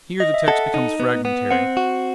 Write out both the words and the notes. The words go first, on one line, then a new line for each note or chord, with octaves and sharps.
Here the text becomes fragmentary.
D#5
E5
A4 F#5
D#4
B3
B3
C4 F#5
F#4